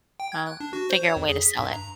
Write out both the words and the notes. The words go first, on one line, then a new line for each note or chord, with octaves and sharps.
I'll figure a way to sell it
G5
G#6
F#6
D4
F#4
C5
C#5
F2
G#4
B6
G2
A#5